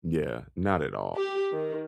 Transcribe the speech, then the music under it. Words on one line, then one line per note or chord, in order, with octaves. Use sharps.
Yeah, not at all.
G4
D#3